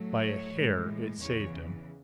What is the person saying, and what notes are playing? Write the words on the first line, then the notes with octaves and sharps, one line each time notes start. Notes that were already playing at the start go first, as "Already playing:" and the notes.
By a hair it saved him.
Already playing: A2 F#3 A3
C#5
A2 E3 G#3
E2 C#3 E3 C#5